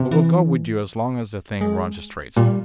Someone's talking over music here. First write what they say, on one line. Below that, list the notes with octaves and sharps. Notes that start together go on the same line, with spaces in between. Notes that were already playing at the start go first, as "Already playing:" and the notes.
We will go with you as long as the thing runs straight.
Already playing: C3
E3
G#3
A#2 G3